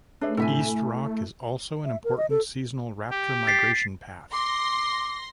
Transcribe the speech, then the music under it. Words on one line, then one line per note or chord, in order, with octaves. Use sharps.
East Rock is also an important seasonal raptor migration path.
A3 D4 G#4 B4 C#5 E5
D2 A2 C3 A4 E5 G#5
E4
E5
A#4
D#5
A4
G4
A6 B6 C7
C6 D6 A#6